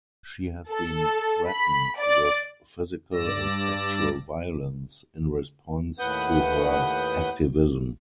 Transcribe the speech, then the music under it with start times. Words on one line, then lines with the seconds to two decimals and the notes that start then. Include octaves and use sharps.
She has been threatened with physical and sexual violence in response to her activism.
0.69 A4
1.48 B5
1.99 D5
3.14 G2 D5 E6 A#6
5.99 D#2 A2 B4 F#5 D#6 G6